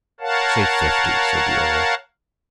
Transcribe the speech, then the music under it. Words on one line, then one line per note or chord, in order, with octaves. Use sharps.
"Say fifty," said the earl.
A#4 C#5 F5 F#5 A5